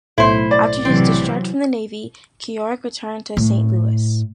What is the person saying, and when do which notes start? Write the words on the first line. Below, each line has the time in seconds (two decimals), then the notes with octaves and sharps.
After his discharge from the Navy, Keough returned to Saint Louis.
0.18 B1 A2 E4 C5
0.51 D5
0.85 C3 E3 F#3 C4
3.37 A2